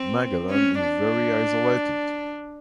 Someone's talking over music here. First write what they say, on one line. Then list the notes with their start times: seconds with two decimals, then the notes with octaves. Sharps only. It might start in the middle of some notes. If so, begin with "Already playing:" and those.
Magadan is very isolated.
Already playing: C4
0.49 C#4
0.82 D4